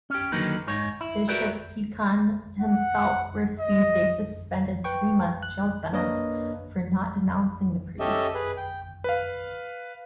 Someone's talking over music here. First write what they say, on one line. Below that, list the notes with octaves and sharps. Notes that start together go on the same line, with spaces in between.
Bishop Pican himself received a suspended three-month jail sentence for not denouncing the priest.
C#4 G4
D3 D#3 F#3 A#3 D#4 B4
G#2 D#4 C#5
E4
F#4 G4 A#4 B4 D5 E5
F#5
D#5
B4 G5 C#6
F#6
A#3 D4 A#4 B4 C#5 D#5
C#4 G4 A4 D#5 E5
G#4 B4
G5
B4 F5